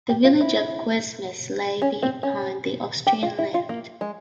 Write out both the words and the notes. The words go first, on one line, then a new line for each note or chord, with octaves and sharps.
The village of Cuesmes lay behind the Austrian left.
G4
F4
E4
C#4
C4
C#4
G4
F4
E4
F4
A#3
G#3